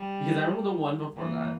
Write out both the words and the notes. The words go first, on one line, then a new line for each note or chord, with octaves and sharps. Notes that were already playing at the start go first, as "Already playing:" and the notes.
Because I remember the one before that.
Already playing: G3
E3 A#3